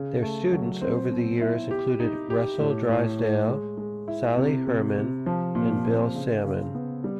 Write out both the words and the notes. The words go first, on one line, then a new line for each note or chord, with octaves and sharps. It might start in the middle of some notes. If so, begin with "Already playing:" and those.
Their students over the years included Russell Drysdale, Sali Herman and Bill Salmon.
Already playing: C#3
A3
F#3
C4
B2
E4
G4
D#4
G4
A2
A2
A2
G#3
G#3
E4
C3
C3
C3
F3
A#2
C4
C#3
C#3
B3
G3